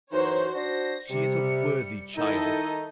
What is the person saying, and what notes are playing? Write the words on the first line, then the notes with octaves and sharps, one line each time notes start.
She is a worthy child.
F#2 E3 D#4 F#4 C5 C#5
D4 F#4 C5 A#6
C3 G3 C#7
D#3 D#4 E4 A4 D#5